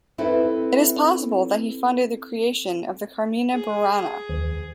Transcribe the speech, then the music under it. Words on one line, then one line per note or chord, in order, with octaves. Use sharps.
It is possible that he funded the creation of the "Carmina Burana".
C4 E4 A4 B4 C5
G#4
D#2